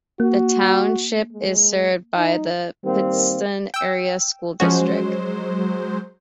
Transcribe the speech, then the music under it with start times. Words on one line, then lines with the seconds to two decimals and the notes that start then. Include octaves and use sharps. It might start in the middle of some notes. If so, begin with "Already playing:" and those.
The township is served by the Pittston Area School District.
0.20 A#3 F#4
1.32 G#3
2.16 D#4
2.84 D#3 G3 A#3 C4
3.74 G5 E6
4.60 F3 F#3 G#3 C#4 F#4 C5